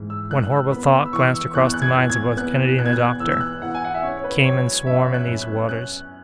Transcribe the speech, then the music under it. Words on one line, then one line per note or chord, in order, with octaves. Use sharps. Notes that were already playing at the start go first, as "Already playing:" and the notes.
One horrible thought glanced across the minds of both Kennedy and the doctor: caymans swarm in these waters!
Already playing: G#2 E3
E6
G#2 F#6
E6
B3 B5
B5
E6
E3 C#6
E6
E2 F#6
F#6
G#6
E2
G#6
B3 F#6
B2 F#6
G#6
F#6
E2 E6
E6
F#6
E2 F#5
G#5
F#5
E5
C#4 C#5
C#5
B4
F#3 C#5
F#2 E5
F#6
F#2
F#6
C#4 F#6